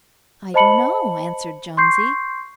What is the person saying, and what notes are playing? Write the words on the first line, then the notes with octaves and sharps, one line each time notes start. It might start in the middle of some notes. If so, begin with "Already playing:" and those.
"I don't know," answered Jonesy.
C5 D#5 A5 B5 C#7 F#7
C6 C#6 G6 C7